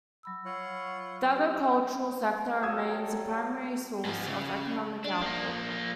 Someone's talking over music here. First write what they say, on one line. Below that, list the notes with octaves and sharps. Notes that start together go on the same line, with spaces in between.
The agricultural sector remains a primary source of economic output.
F#3 B5 E6
F4 C#5 F#5
E4 G4 D5
F#3 G3 A4 D#6 E6 G#6
G#2 F3
C#3
D4
F3 A#3